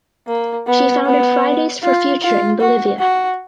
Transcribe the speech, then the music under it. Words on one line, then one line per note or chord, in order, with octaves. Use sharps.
She founded Fridays For Future in Bolivia.
A#3
B3
B3
F4
F4
F#4
F#4